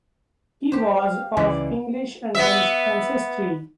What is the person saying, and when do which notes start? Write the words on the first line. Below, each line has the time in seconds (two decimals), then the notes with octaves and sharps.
He was of English and Welsh ancestry.
0.72 G4 C5
0.98 F5
1.37 C#2 E3 D5
2.35 B3 E5